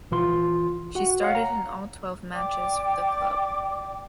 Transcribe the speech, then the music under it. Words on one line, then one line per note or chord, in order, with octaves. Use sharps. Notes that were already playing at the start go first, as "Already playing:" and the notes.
She started in all twelve matches for the club.
A#1 E3 F4 C6
F#4 F#5
C#5 F5 F#5
A#5
D5 G5 D6